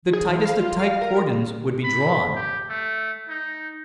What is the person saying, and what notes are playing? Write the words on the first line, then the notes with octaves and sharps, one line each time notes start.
The tightest of tight cordons would be drawn.
G#4
E3
F5
F4
F5
A#4
B5
G4
A3
D#4